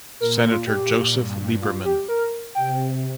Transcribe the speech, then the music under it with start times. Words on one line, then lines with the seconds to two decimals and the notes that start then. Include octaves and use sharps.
Senator Joseph Lieberman.
0.20 A#2 A#4
0.36 A#4
0.51 F4
0.67 A#2 G4
1.14 G2
1.61 F4
1.85 G4
2.08 A#4
2.55 C3 G5